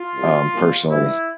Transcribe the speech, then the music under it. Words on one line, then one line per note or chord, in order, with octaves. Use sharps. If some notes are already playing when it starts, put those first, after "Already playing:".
um, personally
Already playing: F4
C2 C3 F3
C2 A#2 F3
G2 E3 E4